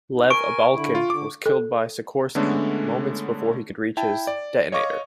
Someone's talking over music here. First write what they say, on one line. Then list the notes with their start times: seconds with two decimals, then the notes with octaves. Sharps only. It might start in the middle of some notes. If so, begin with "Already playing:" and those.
Lev Abalkin was killed by Sikorski moments before he could reach his "detonator".
0.15 D#4
0.30 A#4 G#5 C#6 D7
0.74 D3 E4
0.95 F4
1.10 D3 D6
1.46 A4
2.35 D3 G#3 A3 B3 C#4 D4
3.97 E4 G5 A5
4.27 D5
4.72 C#5 D#5 F5 C#6 D6